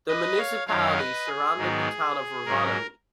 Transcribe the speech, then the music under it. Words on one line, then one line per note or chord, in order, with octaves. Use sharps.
The municipality surrounded the town of Rovaniemi.
B4 D#5
C#5 F5
F#2 D#3 F#3 C#5 F5
B4 D#5
G#4
G#2 D#3 F#3 B3
G#2 F#3 C#4 A#4